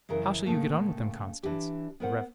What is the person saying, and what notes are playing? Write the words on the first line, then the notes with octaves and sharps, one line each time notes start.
"How shall you get on with them, Constance?" the Rev.
F#2 C#3 E3 A#4
A2 C#3 A3 A#3
E3 D4 G4
B3 A#4 C5 F#5